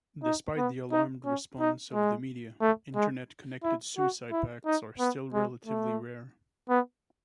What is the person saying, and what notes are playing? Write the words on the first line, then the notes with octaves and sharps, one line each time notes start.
Despite the alarmed response of the media, Internet-connected suicide pacts are still relatively rare.
D#4
B3
D#4
C#4
D#4
G#3
A3
G#3
E4
F#4
E4
D#4
B3
G#3
A3
B3